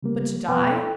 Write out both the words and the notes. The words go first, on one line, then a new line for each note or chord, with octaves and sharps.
But to die?
C#3 G3 A#3
F2 B2 B3 B4 F#5 G5
A4 G5